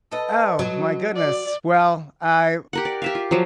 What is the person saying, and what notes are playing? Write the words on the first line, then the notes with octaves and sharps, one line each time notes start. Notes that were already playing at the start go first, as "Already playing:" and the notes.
Oh, my goodness, well, I
A4 B4 D#5
F#3
D5
G4 A#4 F#5
D5
G4 E5 F5
F4
F3 F#3